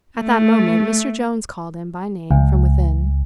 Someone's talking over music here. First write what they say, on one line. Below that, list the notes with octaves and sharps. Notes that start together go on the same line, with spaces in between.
At that moment Mr. Jones called him by name from within.
A3
C#2